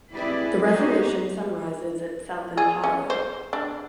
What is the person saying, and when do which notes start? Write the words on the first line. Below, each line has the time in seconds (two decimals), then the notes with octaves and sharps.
The resolution summarizes itself in Para.
0.12 C4 E4 G4 G#4 B4 D5
0.64 B3 D#4 F#4 G4 C5
2.57 G#4
2.84 C#4
3.10 C5
3.53 D4